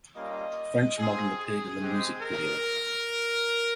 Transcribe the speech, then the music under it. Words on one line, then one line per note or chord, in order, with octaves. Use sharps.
French model appeared in the music video.
G3 A#3 C#4 F4 D#5
C4 F4 G#4
G#4
G#3 C4 G4
A#4